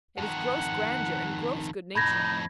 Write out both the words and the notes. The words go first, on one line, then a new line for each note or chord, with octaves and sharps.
It is gross grandeur and gross good-nature.
F2 D#3 F#5
F2 A2 D#4 B5 G#6 A#6